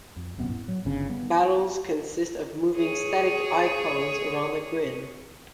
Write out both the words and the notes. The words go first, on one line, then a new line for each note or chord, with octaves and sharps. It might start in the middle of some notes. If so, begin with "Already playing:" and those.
Battles consist of moving static icons around a grid.
F2
D1 F#2 C3 B3
A2
F#3
G1 C#3 D4
G3 B3
G#4 C#5